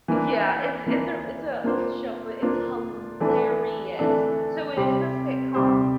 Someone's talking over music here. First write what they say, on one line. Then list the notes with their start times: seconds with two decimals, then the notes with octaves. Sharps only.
Yeah, it's it's a it's a old show, but it's hilarious. So, it is a sitcom,
0.08 E3 A#3 D4
0.86 E3 A#3 D4
1.64 A#3 D4 F4 C5
2.42 A#3 D4 F4 C5
3.20 E3 A3 D4 A4 D5
3.99 E3 A3 D4 A4 D5
4.77 C3 G3 C4 G4 C5
5.54 C3 G3 C4 G4 C5